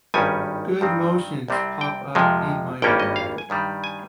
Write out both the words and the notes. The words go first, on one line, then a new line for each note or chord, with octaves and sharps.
Good motions pop up in my mind.
G#1 G2 D#3 G3 C#4 G#5
G2 D#3 G3 C4
C2 C3 G3 C4
G5
F2 C3 F3 G#3
G#1 G2 G3 A#3 C#4 G5
D#5
F5
G#5
G2 D#3 G3
G#5